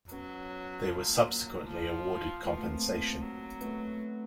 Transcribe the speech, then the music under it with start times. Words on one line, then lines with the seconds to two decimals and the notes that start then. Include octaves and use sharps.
They were subsequently awarded compensation.
0.11 F#3 B3 C#4
0.89 F3
1.08 A#3
1.28 F#3 A#3
1.67 F3
2.44 F3 A3 B3
2.63 A#3 C4
3.22 F#3
3.61 A3 B3